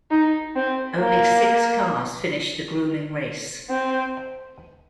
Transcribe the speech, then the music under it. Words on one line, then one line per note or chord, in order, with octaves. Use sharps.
Only six cars finished the gruelling race.
D#4
C4
A#3
C4